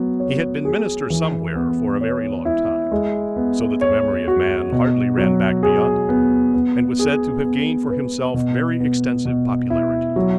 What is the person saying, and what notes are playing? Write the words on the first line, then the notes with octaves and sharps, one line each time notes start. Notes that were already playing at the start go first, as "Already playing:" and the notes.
He had been minister somewhere for a very long time, so that the memory of man hardly ran back beyond it, and was said to have gained for himself very extensive popularity.
Already playing: F#3 B3
C#5
G#4
E3
B3
C#5
E4
G#3
B3
C#5
F#4
B2
F#3
G#4
B3
B3
G#4
B3
B4
B2
B3
B2
E4
F#3